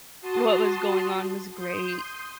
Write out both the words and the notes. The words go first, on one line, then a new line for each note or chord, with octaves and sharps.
what was going on was great.
F#4 A5 C6 D#6
C6 D#6 G6